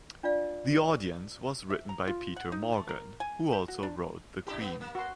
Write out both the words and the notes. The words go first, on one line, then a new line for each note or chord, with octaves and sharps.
"The Audience" was written by Peter Morgan, who also wrote "The Queen".
D4 F4 D5 F5
E5
A#5
F4
F#5
D#4
A3
A#4
G#5
G4
F#4
D4
D4 E4 G4
A#3 B3
A#3
F#4 C6